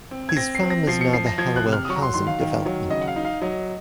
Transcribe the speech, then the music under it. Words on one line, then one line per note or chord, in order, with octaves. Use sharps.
His farm is now the Hallowell housing development.
C4
G#6
C4 A#6
C7
C4
A#6
F3 C7
C#7
F3 C7
A#6
F3 G#6
F#6
C3
F6
D#6
F#3 C#6
A#5
C6
D#3 C6
F5
D#3
F#3
C#3 D#5
F#5
F5
D#4
F5
F#3 D#5